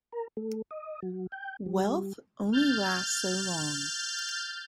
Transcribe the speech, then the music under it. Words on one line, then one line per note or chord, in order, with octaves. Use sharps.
Wealth only lasts so long.
A#4
A3
D#5
F#3
G5
G3
F6 G6 A6